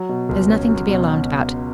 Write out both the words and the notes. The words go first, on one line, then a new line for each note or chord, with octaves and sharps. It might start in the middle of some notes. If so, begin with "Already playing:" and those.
There's nothing to be alarmed about.
Already playing: F#3
B2
C#2
C#4
F#3
B2